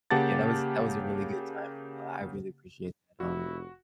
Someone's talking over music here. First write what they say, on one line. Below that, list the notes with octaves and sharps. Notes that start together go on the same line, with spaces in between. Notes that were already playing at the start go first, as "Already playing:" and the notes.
But yeah, that was that was a really good time. Uh, I really appreciate that, um,
C#3 A#3 G4 F#5 A5 A6
F1 E4 F#4